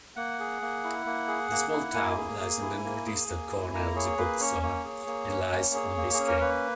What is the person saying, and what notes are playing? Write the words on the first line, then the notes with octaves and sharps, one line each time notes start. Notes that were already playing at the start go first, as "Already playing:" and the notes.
The small town lies in the northeastern corner of Gipuzkoa and lies on Biscay.
A#3 F#5
G#4
A#3
E4
A#3
G#4
A#3
E4
A#3 G#5
G#4
A#3
E4
A#3
G#4
A#3
E4
A#3 A#5
G#4 C#5
A#3 B4
C#4 C#5
A#3 C#5
G#4
A#3
C#4
A#3
G#4
A#3
G#4
C#4
A#4
A#3 B4